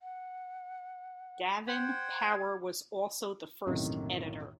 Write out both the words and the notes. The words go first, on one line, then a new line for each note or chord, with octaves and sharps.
Davin-Power was also the first editor.
F#5
C5 F#5 G5 G#6
B1 F#2 A2 C3 D#3 E3